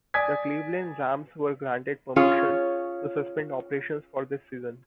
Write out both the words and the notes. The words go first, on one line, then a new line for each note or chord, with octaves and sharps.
The Cleveland Rams were granted permission to suspend operations for this season.
D5 G#5 D#6 G#6 B6
C#4 F4 G#4 C#5